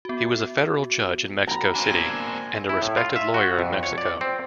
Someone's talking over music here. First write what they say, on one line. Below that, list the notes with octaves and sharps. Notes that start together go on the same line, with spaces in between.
He was a federal judge in Mexico City, and a respected lawyer in Mexico.
B3 F#4
A#5 B5
A#3 C4 D4 G#5
E4
A2
F4
E5
F#4
F2
C#5
D5
C4